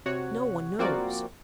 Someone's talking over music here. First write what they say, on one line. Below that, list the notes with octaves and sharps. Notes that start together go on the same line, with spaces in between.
No one knows.
C3 F#4 C#5 F#5
F3 A#3 C4 F#4 A#4 D5